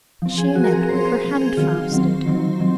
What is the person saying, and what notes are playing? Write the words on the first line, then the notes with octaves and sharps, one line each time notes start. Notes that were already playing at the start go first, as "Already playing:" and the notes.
She and Edward were handfasted.
F3 C4
G#4
F3 C4 F#4
A#4
G#4
A#4
F3 C4 C5
C5
F3 C4
G#4
D#3 F#3 C4 F4
D#3 F#3 C4
D#3 F#3 C4
D#3 F#3 C4